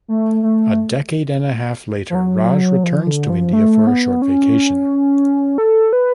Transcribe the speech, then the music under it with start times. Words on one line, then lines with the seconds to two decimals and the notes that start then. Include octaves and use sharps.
A decade and a half later, Raj returns to India for a short vacation.
0.08 A3
0.43 A3
2.10 F3
2.15 F#3
2.84 F3
3.07 D3
3.30 F3
3.53 A3
3.87 B3
4.22 C#4
5.58 A4
5.93 B4